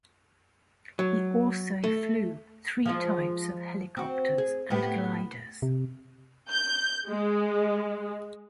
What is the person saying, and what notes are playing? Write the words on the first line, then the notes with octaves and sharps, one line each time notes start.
He also flew three types of helicopters and gliders.
F#3
A3
F3 G#3 F4
C4 F#4
G#4
A2 B3 G4
C3
G6
G#3